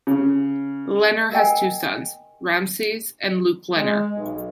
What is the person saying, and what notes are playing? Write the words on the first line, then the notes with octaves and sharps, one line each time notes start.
Lehner has two sons, Ramses and Luke Lehner.
C#3
A#4 D#5 G5 G#5
G#3
B1